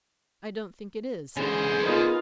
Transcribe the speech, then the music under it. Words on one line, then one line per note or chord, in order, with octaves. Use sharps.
"I don't think it is," said Robert.
G#2 D3 E3 C#4 G#4 C5
B3 D#4 F4 A#4 B4 F5